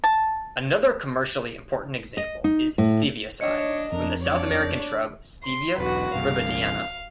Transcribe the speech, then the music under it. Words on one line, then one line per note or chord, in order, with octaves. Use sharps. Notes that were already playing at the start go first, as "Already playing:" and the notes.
Another commercially important example is stevioside, from the South American shrub "Stevia rebaudiana".
A5
D#5
D#4
A2
D4 C#5 D#5 C#7
F2 D4 A#4
D4 C#5 D5
C6
E1 B1 F#4 B4
G1 C2 F5